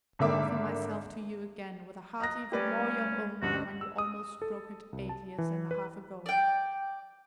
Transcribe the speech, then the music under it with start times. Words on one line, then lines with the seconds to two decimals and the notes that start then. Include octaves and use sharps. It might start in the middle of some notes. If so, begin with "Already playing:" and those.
I offer myself to you again with a heart even more your own than when you almost broke it, eight years and a half ago.
0.19 G#1 D3 A#3 E5 D6
2.20 D#5 A#5 F#6 A#6
2.52 G3 A3 C#4 G4 B4 D5
3.42 D2 G2 C#4 F#4 D#5
3.81 E6
3.98 D#6
4.42 A4
4.93 C2
5.09 A5
5.38 E3
5.71 B4
6.26 D5 G5